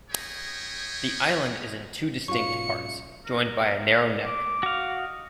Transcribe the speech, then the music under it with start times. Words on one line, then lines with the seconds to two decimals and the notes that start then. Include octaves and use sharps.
The island is in two distinct parts, joined by a narrow neck.
0.10 B3 E4 G#4 C#5 D#5 G5
2.28 G#2 B2 F#3 G#3 C#4 F4 C#6 C#7
3.26 A#4
4.25 D6
4.63 F#4 F5
4.97 D#5